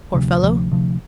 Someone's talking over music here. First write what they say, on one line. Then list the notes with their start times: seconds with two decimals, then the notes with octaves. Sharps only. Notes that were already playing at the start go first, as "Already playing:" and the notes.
Poor fellow!
0.14 D2 C3 F3
0.42 D2 C3 F3
0.72 D2 C3 F3